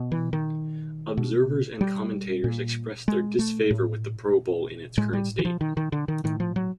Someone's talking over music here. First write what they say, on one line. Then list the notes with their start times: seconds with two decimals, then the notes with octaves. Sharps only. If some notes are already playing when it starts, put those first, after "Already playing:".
Observers and commentators expressed their disfavor with the Pro Bowl in its current state.
Already playing: B2
0.12 E3
0.33 D#3
1.17 B2
1.81 G3
2.44 A#2
3.08 G#3
3.39 A3
3.71 A2
4.97 A2 G#3
5.13 G3
5.39 E3
5.45 F3
5.61 D#3
5.77 D#3
5.92 D3
6.08 D#3
6.24 A2 D#3
6.40 F3
6.56 F#3